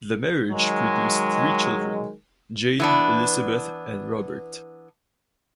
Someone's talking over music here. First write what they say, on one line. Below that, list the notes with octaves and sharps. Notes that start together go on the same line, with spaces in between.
The marriage produced three children: Jane, Elizabeth, and Robert.
D#3 F#3 G#3
E3 B3 D4